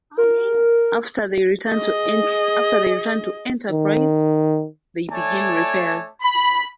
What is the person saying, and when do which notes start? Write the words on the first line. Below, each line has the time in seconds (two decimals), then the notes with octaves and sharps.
After they return to "Enterprise" they begin repairs.
0.18 A#4
1.71 G#4 D#5
3.71 D#3
5.11 A3 C#5 D5 G#5 A5
6.22 B5